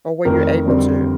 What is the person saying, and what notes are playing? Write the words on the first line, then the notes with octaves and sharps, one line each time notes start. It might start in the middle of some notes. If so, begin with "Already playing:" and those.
or were you able to?
F1 F2 D#3 A3 A#4
F1 F2 D3 G3 C4